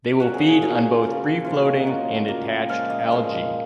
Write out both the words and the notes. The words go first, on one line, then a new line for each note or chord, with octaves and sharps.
They will feed on both free floating and attached algae.
A#2 F#3 C#4 F#4
G#4
G#4
A#2 F#3 C#4 F#4
C#3 F3 A#3
C#3 F3 A#3 F4
F#4
D#5
F#3 A#3 F4 F#5
F#3 A#3 F4
A#2 F3 G#3 F5
D#5
A#2 F3 G#3